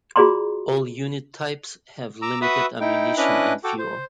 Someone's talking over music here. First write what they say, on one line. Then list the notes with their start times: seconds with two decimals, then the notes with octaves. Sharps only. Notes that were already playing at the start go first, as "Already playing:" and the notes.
All unit types have limited ammunition and fuel.
0.16 F4 F#4 G#4 D5 A#5 C6
2.22 A#5 D6 E6
2.42 F#4 B4 E5 B5 D#6 E6
2.80 D#4 E4 G5
3.17 C#4 D4 E4 B4 D#5 F#6
3.64 F#4 A4 G5 D6
3.79 C5